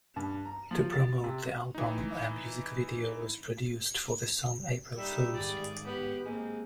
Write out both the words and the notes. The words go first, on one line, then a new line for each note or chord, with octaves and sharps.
To promote the album, a music video was produced for the song "April Fools".
G2
A#5
F3
A6
C3
E3 D#4
G3 D#4 E5
G#1 G#4 D5
B3 G4 B5
G#3 A#3 C4